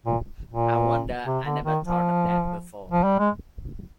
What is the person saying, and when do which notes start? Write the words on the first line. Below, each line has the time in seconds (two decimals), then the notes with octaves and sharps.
I wonder I never thought of that before.
0.06 A#2
0.51 A#2
1.25 C3
1.45 D3
1.64 D#3
1.84 F3
2.92 F3
3.04 G3
3.19 G#3